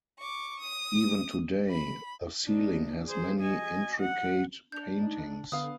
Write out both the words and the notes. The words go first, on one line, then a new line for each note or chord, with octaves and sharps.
Even today, the ceiling has many intricate paintings.
C#6 D6
D#6
B5
D4 D#4
G#4 C5
D#5 G#5
F#5
D4 G6 F7
D#4
D3 B3 F5 D#6